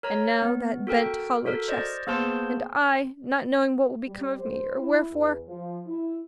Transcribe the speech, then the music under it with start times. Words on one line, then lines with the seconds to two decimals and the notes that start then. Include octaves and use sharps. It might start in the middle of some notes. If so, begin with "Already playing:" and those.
"And now that bent, hollow chest ... and I, not knowing what will become of me, or wherefore..."
0.03 A#4 C#5 A#5
0.42 B3
0.87 F#4 A4 A#4 G5
1.46 F#4 A4 A#4
1.68 C5 D5 D#5
2.07 A#3 B3 G#4 C5 A5 C6
4.07 G3
4.40 C5
4.78 E4
5.11 E2
5.47 F3
5.87 E4